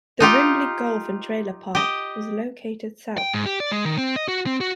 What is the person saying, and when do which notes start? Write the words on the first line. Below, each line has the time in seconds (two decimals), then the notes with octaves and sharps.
The Rimbey Golf and Trailer Park was located south.
0.20 D#4 F4 G4
1.75 G4 D#5
3.18 G5
3.34 G#2
3.46 G4
3.60 D5
3.72 G#3
3.85 D#3
3.98 C4
4.16 D#5
4.28 F#4
4.46 C4
4.61 F#4